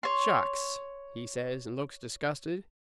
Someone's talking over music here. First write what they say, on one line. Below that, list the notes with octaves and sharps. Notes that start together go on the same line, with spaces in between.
"Shucks!" he says, and looked disgusted.
C#5 C6